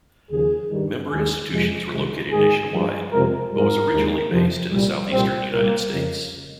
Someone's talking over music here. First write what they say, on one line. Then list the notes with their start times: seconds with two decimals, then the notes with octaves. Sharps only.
Member institutions were located nationwide, but was originally based in the southeastern United States.
0.30 D#2 C#3 F3 G#4
0.70 G2 D#3 G3
1.10 D#2 D#3 G#3 G#4
1.51 F2 C3 F3 G#3
1.91 C2 C3 D#3 G#3
2.31 G#2 D#3 G#3 G#4
2.70 G2 F3 G#3
3.10 F2 C3 F3 G#3 A#4
3.51 G#2 G3 A#4
3.91 D#2 D#3 G#3
4.31 F2 C3 F3
4.71 C2 A#2 G3
5.11 C2 A#2 G3 C4
5.51 C2 A#2 G3 A#3
5.91 F2 C#3 G#3